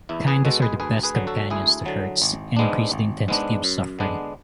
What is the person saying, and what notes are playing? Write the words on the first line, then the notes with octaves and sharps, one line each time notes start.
Kindnesses are the best companions to hurts, and increase the intensity of suffering.
E2 E4
G#4 B4
B2 G#3 F#4 A4
G#4 B4
D2 G#4 B4
G#4 B4
D3 F#3
F#4 A4
D2 E4 G#4
D3 F#3
G#1
G#2 G#3 B3 D4
G#1
G#2 G#3 B3 D4
F#2
D3 G#3 B3 D4